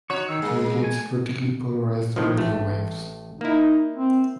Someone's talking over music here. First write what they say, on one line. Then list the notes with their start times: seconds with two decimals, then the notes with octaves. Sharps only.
It radiates vertically polarized radio waves.
0.10 D#4 F#4 C#5 C#6
0.29 D#3 E6
0.42 G#3 A#3
0.83 A3 G#5
2.16 A2 D#3 F3
2.38 A1 A3
3.41 A#3 D#4 E4
3.96 C4